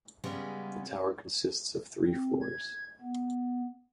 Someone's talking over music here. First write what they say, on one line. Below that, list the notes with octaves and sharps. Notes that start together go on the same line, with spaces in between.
The tower consists of three floors.
C#3 G3 G#3 B3 C#4 G#4
C4
G#6
B3